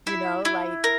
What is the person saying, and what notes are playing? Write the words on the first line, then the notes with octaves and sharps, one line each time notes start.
you know, like
E4
E4
A#4